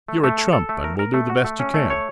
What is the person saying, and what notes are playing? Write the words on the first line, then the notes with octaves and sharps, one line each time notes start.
You're a trump; and will do the best you can.
A3
A3
A4
A4
A3
A#4
A#4
A3
F#4
A3
C#4
A3
C#5